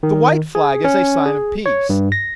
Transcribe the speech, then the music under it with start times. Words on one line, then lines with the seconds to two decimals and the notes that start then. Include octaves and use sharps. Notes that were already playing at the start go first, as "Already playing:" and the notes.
The white flag is a sign of peace.
0.03 D#3
0.55 G#4
0.84 C#4
1.26 G#4
1.66 C#5
1.89 G2
2.12 A#6